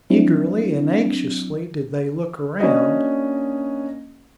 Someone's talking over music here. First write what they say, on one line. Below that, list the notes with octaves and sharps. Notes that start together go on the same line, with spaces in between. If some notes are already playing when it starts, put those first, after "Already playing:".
Eagerly and anxiously did they look around.
F#3 C4 D4 E4
A#3 C#4 D4 F#4 D#5